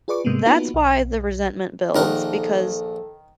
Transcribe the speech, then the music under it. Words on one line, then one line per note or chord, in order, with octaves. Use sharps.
that's why the resentment builds because
F4 G#4 B4 D5 C#6 D6
G#2 C3 G#3 A#3 B3
A#3 B3 D#4 F4 F#4 B4
B1
A#1 D#3 A4 A#4 F#5